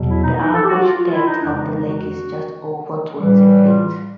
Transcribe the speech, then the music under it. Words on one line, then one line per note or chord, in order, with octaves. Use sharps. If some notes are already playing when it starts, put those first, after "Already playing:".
The average depth of the lake is just over twenty feet.
Already playing: E2 B2 F#3
E4
D#4
D#4
A4
G4
F#4
F4
F4
E4
D#4
F2 C#3 E3 G#3 D4
D#4
D#4
F#4
A2 E3 G3
F4